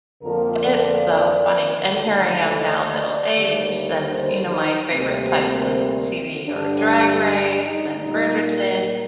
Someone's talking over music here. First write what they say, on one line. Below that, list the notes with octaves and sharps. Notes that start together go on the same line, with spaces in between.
It's so funny, and here I am now, middle-aged, and, you know, my favorite types of TV are Drag Race and Bridgerton.
F2 D3 F3 A#3 A#4
D5
D5
D#2 D3 A3 D5
D#5
D5
D#2 D3 G3 A#3
C5
D#4
D2 C3 G3 A#3 C4
G2 D3 G3 D4
D4
D#4
A#2 G3 A#3 D#4